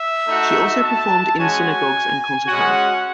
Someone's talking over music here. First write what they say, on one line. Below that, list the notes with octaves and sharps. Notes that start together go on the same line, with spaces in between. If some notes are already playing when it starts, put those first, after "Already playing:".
She also performed in synagogues and concert halls.
Already playing: E5
A3 D#4 F#4
A5
G#3 C#4 F#4 G#5
G#3 C#4 F#4 F#5